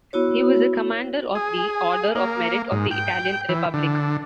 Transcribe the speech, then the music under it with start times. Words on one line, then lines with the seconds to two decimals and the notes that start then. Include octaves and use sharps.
He was a Commander of the Order of Merit of the Italian Republic.
0.13 B3 E4 F#4 C#5
1.35 G#4
2.15 A#3
2.72 G#2
2.91 G5
3.49 E3
3.74 D3